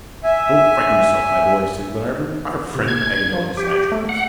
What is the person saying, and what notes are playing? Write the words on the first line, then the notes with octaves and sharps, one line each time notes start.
"Don't frighten yourself, my boy," said Glenarvan; "our friend Paganel exaggerates."
E5 G#5
C3
G#6
F3
G4
A3
F#5